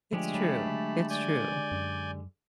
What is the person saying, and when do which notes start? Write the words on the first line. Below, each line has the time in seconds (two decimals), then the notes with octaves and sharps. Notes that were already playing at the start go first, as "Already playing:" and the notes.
It's true, it's true.
0.13 D3 F3 G#3 A3 G4
0.34 F#3 A5 B5
1.10 D5 G#5 G6
1.72 F#2